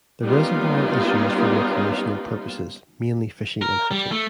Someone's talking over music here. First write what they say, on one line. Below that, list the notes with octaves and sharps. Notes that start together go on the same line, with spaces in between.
The reservoir is used for recreational purposes; mainly fishing and hiking.
G3 A#3 B3 C#4 D#4 F4
A#4
G3
A3